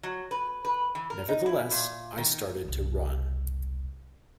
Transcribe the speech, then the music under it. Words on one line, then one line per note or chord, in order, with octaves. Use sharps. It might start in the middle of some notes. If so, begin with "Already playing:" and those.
Nevertheless I started to run.
F#3
B4
B4
E3
A#4
D#4
E4
A#2
D#3
E1 C2